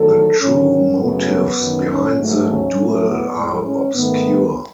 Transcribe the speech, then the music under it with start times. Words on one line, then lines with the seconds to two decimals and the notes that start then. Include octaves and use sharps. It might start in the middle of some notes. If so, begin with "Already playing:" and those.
The true motives behind the duel are obscure.
Already playing: E2 D#3 F#3 A3 A4
0.41 G#2 D#3 F#3 C#4
1.00 F#2 C#3 F#3 A3 B3
1.59 F#2 D#3 F#3
1.88 C#4
2.18 G#2 F#3 A3
2.47 C#4
2.77 A2 F#3 A3
3.06 B3
3.36 A2 G#3
3.64 C#4
3.95 G#2 D#3 A3 B3